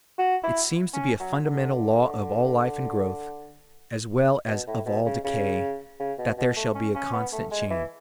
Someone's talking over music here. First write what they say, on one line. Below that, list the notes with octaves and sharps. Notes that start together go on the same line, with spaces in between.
It seems to be a fundamental law of all life and growth, as well as of all decay, that there shall be a constant change.
F#4
E4
C#4
F#3
D3
B2
A2
B2
C#3
C#3
C#3
B2
B2
A3
C#4
C#4
B3
A3
G#3
E3